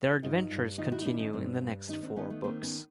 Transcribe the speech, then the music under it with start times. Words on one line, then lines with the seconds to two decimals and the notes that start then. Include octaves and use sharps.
Their adventures continue in the next four books.
0.22 G2 D#4 F4
0.51 G2
0.78 D#3 D#4 F4
0.92 E4 F#4
1.02 D#4
1.05 D#3 D4 E4
1.19 C#4 D#4
1.33 G2 C4 D4
1.61 G2
1.88 D#3 C#4 D#4
2.03 C4 D4
2.16 D#3 B3 C#4
2.30 A3 B3
2.44 D#3 A#3 C4
2.63 B3 C#4